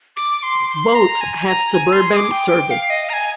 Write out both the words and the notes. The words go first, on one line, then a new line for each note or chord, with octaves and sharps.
Both have suburban service.
D6
C6
C6
A#5
G#5
A#5
G#5
C6
D#6
D6
G5
G5
F5
D#5
A#5
G#5